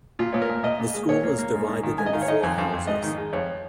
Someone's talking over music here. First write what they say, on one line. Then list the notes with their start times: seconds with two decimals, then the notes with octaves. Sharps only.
The school is divided into four houses.
0.19 A#2 F4
0.33 A#2 C#5
0.42 A#4
0.49 A#2
0.63 A#2 D#5
0.79 A#2
0.94 G#3
1.09 A#2 C#5
1.23 A#3
1.39 A#3
1.54 G#2
1.68 G#2
1.83 D#3
1.98 G#2 G#5
2.06 D#5
2.13 D#3 F5
2.22 C#5
2.28 D#3 D#5
2.43 F2 G#5
2.58 F2
2.73 F2
2.87 G#2 D#5
3.02 D#3
3.18 G#3
3.33 F2 C#5